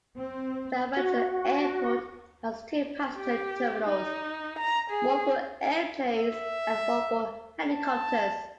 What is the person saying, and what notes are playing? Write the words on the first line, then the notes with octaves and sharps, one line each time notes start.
Stavanger Airport has two passenger terminals, one for airplanes and one for helicopters.
C4
F#4
G4
D#4
A#5
G#4
E5
A5